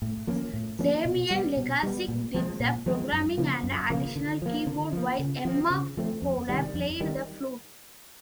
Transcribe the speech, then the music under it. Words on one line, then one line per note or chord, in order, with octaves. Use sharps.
Damian LeGassick did the programming and additional keyboard while Emma Fowler played the flute.
A2
F3 A#3 C#4
A2
F3 A#3 C#4
B2
G3 B3
B2
G3 B3
A#2
F3 G#3 C4
A#2
F3 G#3 C4
F#2
C#3 F3 A#3
F#2
C#3 F3 A#3
D3
F3 A#3
D3
F3 A#3
C#3
F3 A3 C4
C#3
F3 A3 C4
F2
C3 D#3 G3
F2
D#3 G3